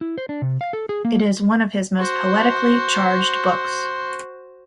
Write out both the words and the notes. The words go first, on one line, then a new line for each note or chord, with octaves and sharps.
It is one of his most poetically charged books.
E4
C5
D4
C3
F5
A4
G#4
A#3
F#4 C5